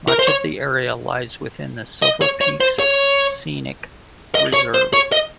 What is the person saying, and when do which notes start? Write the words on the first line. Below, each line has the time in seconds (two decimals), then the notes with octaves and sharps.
Much of the area lies within the Silverpeaks Scenic Reserve.
0.08 A#4
0.19 C5
0.28 C#5
2.02 D#5
2.22 C#5
2.41 C#5
2.60 C5
2.79 C#5
4.35 D#5
4.54 C#5
4.74 C5
4.93 C#5
5.12 D#5